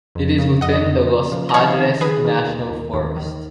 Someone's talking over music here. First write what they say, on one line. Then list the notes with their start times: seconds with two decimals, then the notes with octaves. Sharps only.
It is within the Los Padres National Forest.
0.15 F2
0.39 C#3
0.61 F2 D#5 F#5
0.85 F2
1.08 C#3
1.32 F3
1.49 D#5
1.54 D#3 C#5 F5
1.78 D#3
2.01 D#3 G#4 B4
2.25 D#3
2.47 D#2
2.70 D#2
2.93 D#2
3.17 D#3